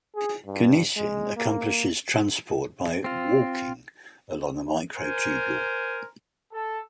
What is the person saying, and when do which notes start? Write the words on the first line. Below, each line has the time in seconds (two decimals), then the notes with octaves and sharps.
Kinesin accomplishes transport by "walking" along a microtubule.
0.15 G#4
0.46 G2
0.96 G#3
1.37 A#3
3.04 C4 F4
4.96 A#4 C5 G#5
6.52 A4